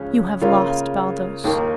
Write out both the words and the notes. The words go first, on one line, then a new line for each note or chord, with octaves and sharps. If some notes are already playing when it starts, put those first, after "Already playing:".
You have lost Baldos.
Already playing: C#2 C#3 F3 C#4
C#3 A#3 F4 A#4 C#5
D#2 D#3 A#3